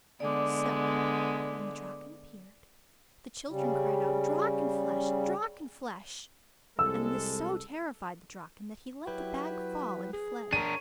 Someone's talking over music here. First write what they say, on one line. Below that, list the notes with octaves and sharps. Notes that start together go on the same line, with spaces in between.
So, when the Draken appeared, the children cried out: 'Drakenflesh! Drakenflesh!' and this so terrified the Draken that he let the bag fall and fled.
D3 G#3 B3 D5 D6
C#3 G3
C2 G#3 A4 E6
F#3 E4 G4 B4
G#4
D4 A#4 C#5 D#7